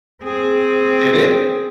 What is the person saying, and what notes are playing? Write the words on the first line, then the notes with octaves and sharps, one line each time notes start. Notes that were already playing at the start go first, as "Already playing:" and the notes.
Did it?
C4 G#4